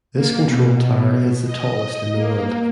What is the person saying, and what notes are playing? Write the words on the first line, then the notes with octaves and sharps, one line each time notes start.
This control tower is the tallest in the world.
A#3
B2
D#5
A#3